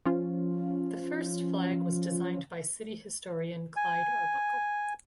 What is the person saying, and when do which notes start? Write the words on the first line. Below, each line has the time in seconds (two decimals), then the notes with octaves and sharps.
The first flag was designed by city historian Clyde Arbuckle.
0.05 F3 C#4 F4
3.76 G#5